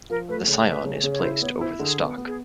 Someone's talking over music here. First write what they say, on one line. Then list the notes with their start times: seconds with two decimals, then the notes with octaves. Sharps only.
The scion is placed over the stock.
0.10 F3 A#4
0.29 A3 B4
0.48 C#3
0.66 A3 B4
0.85 C#3
1.03 C#3
1.11 C#5
1.23 E4 C5
1.42 B3 C#5
1.61 E4 C5
1.79 D3 G#4
1.98 B3
2.17 B3
2.27 G#4